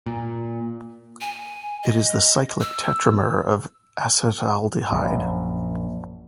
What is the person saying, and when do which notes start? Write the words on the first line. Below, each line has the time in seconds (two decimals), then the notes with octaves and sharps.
It is the cyclic tetramer of acetaldehyde.
0.06 A#2
1.21 G#5
1.83 D#5
2.61 E6
4.92 A#1 F#2